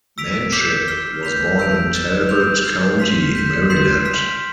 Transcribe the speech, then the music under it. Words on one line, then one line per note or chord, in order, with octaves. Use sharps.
Manship was born in Talbot County, Maryland.
E6 B6 D7 F7
D6 G6 B6 E7 G7
F6 C7 G7
G6 B6 F7
E6 G6 D7 F7
F6 A6 E7 G7
G6 D7 F7
G6 C7 G7
C6 F6 B6 F7
G6 B6 E7
C6 G6 C7 E7
C6 F6 B6 D7